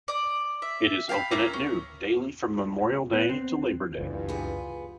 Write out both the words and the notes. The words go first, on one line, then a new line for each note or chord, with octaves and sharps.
It is open at noon daily from Memorial Day to Labor Day.
D5 D#6
E5
F5 G5 G#5 B5
A#3 C#4 F4 E5
C#4
B3
C4
F#1 C#2 G2 E3 F4
B3 G#4